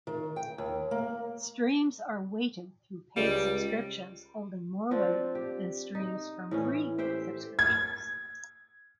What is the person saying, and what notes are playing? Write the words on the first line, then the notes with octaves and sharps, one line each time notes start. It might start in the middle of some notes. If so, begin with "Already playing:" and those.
Streams are "weighted" through paid subscriptions holding more weight than streams from free subscriptions.
D#3
G5
D#2
A#3
C#2 G3
F3 C4 D4
G4
D#4
A2 E3 C#4
G4 C5 E5 G5
G#6